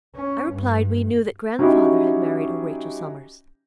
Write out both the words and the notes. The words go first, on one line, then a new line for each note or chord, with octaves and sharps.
I replied we knew that grandfather had married a Rachel Somers.
C#4
G2
F#3 C#4 D#4 E4 G4